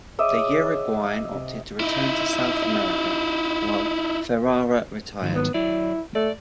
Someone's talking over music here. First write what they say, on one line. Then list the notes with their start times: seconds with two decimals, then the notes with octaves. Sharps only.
The Uruguayan opted to return to South America, while Ferrara retired.
0.19 G#4 C#5 D#5 E5 D6
1.31 C3
1.80 D#4 E4
5.22 G#2 D#3 F#3
5.35 B3
5.54 F#3 E4 D5
6.15 A3 D5